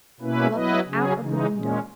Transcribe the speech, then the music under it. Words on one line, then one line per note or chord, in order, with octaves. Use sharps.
Gluck looked out of the window.
B2 A#3 C#4 E4 B4
F#3 B3 E4 B4 D#5
C#3 F#3 C#4 G#4
C#3 E3 G#3 D#4
A#2 G#3 C#4